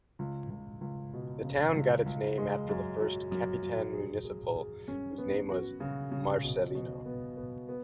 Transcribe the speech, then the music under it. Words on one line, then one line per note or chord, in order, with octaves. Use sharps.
The town got its name after the first Capitan Municipal whose name was Marcelino.
C#2
C#2
C#2
B2
C#3
C#2
C#2
G#3
F#2
F#3
F#2
F#3
G#4
G#4
G#4
C#4
B3
F#4
C#3
C#3
B2
B2
B3
B3
B3